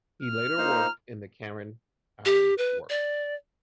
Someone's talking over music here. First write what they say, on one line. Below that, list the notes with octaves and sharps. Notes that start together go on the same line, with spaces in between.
He later worked in the Carron Iron Works.
F6
A#3 D#4 F4 C5 A#5
G4
B4
D5